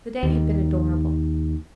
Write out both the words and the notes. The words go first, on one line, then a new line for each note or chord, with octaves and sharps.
The day had been adorable.
D#2 D#3